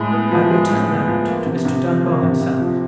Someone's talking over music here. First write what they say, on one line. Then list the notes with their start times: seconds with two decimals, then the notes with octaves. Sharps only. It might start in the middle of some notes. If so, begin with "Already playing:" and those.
"I will tell that to Mr. Dunbar himself."
Already playing: A2 G#3
0.12 B3
0.31 F3
0.50 G#3
0.69 A2
0.89 B3
1.07 F3
1.27 A#3
1.46 C3
1.65 C3
1.83 F3
2.03 A#3
2.22 C3
2.41 C3
2.60 F3